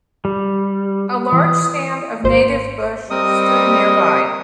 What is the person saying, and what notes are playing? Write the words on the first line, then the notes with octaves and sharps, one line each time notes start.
A large stand of native bush stood nearby.
G3
E3 D#6
G#1 C5
G3 C4 A#4 D#5 D#6